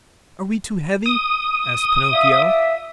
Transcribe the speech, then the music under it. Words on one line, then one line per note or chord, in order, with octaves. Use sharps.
"Are we too heavy?" asked Pinocchio.
D#6
F4 D5 E5